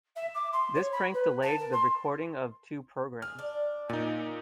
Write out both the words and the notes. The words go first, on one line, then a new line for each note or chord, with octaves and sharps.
This prank delayed the recording of two programmes.
E5
D6
C6
C#5
B5
B4
A5
A#4
C6
G#4 F6
D4
A#2 D#4 G#5